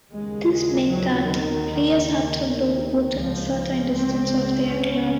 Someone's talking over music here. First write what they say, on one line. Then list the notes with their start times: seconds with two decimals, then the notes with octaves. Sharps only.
This meant that players had to live within a certain distance of their club.
0.12 D#2 C#3 G#3
0.50 G#3
0.88 F#3
1.25 D#3
2.39 D#3
3.15 C#2 C#3 F3
3.90 C4
4.67 C#4